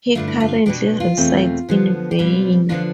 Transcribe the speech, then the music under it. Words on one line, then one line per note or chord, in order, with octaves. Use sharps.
He currently resides in Vienna.
G2 D3 A3 F4
E4
F4
B2 B3 D4 G4
F4
E2 B2 A3 C4
D3 F3 B3
G4
B2 G3 C4 F4
D3 F3 B3 D4 F4